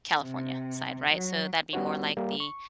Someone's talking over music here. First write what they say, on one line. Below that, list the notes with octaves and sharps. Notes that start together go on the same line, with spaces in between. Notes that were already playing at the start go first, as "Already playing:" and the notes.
California side, right? So that'd be more like the
C3
F#3
G3 B3 C#4 F#4 C#5
G3 A#3
C#6